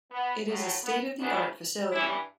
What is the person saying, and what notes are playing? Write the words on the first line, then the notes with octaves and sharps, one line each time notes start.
It is a state-of-the-art facility.
B3
A2 F#3
B3
D2 C#3 E3 B3 D4
G2 E3 G3 C#4 E4